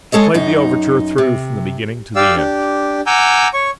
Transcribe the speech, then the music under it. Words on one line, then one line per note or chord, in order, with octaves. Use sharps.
She played the overture through from the beginning to the end.
G#3 A4 C#5 D#5
F#2 D#4
C3
G4 D5 F5 E6
D4 G4
F#5 G#5 A#5 D6 E6 G6
C#5 C#6